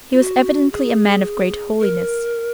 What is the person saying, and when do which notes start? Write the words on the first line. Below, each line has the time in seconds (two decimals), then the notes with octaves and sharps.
He was evidently a man of great holiness.
0.13 F4
0.19 F#4
0.72 G#4
1.81 A#4